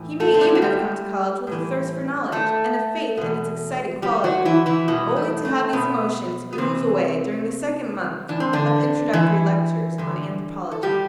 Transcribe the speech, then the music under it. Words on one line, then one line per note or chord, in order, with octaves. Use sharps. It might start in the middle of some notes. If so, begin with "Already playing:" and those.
He may even have come to college with a thirst for knowledge and a faith in its exciting quality, only to have these emotions ooze away during the second month of introductory lectures on anthropology.
Already playing: A2 E3
A3 A4
C4
D4
E4
F#4
G3 G4
A2 E3
A3 A4
E2 B2
G3 G4
F#3 F#4
E3 E4
E3 E4
G2 B2 E3 B3
A3
A3
B2 B3
B3
A2 C3 E3 C4
A2 E3 D4
C4
D3 D4
E3 E4
G2 D3
A4
G3 G4